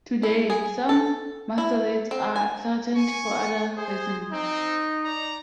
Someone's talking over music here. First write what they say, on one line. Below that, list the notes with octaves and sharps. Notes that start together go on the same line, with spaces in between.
Today, some mustelids are threatened for other reasons.
E4
G#4
A4
E4
C4
G#5
G#5 C#6
G#4 C5
C4 D#4
D5 A#5